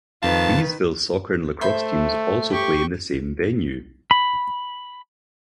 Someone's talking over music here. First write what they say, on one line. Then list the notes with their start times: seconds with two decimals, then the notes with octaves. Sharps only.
Leesville soccer and lacrosse teams also play in the same venue.
0.23 F2 D#3 B4 F5 A5
1.61 A3 C5 E5 B5
2.51 G4 C#6
4.11 B5